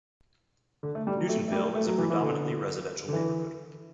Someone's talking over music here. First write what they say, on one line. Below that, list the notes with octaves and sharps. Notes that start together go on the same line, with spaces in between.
Newtonville is a predominantly residential neighborhood.
D3
A3
G3
F#3
A3
A3
G3
A3
F#3
E3
E3
D3
D3
E3